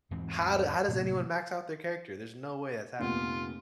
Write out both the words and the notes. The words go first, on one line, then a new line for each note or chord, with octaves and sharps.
How do how does anyone max out their character? There's no way that's happening.
E2 G#2 E3 C4
A2 C3 F#3 A#3
F1 A#2 B3 F4